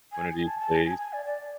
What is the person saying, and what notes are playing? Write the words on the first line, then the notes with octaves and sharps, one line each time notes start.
one of these days.
G#5
G#5
A5
A5
G#5
G#5
G#5
D5
D5